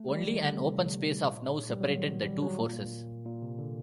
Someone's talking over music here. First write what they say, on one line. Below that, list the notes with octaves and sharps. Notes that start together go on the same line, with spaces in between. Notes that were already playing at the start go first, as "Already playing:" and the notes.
Only an open space of now separated the two forces.
Already playing: A3
G3
D#3
D3
C3
A#2
G3
F#3
D#3
F#3
G3
F#3
A#2
A#2
C3
D3